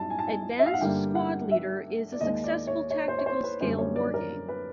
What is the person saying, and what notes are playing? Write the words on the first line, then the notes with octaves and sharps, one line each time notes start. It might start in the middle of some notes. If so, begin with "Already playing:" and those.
"Advanced Squad Leader" is a successful tactical scale wargame.
Already playing: F#2 G3 A5
G#5
A5
G#5
E5
F5
F#5
G2 D3 G3 A#3 G5
F#5
E5
D5
D#2 D#3 G#3 D#5
D5
C#5
C#5
C5
C#5
C5
B4
F#2 D3 G3 A#3 C5
C#5
D5
A#4
B4